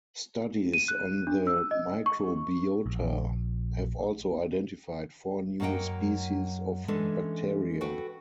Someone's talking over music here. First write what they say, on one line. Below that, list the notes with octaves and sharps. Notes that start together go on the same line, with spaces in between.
Studies on the microbiota have also identified four new species of bacteria.
D#7
F#6
D4
E6
D#5
C#6
A#1
F#2 F#3 A#3 D#5 F#5 G5
E3 G#3 C#4 D4 A4
F#4 A4 B4 G5